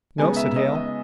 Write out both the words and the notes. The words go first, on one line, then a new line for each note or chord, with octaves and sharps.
"No," said Hale.
C#3 G#3 B3 D#4 G#5
E5
D#5
D#5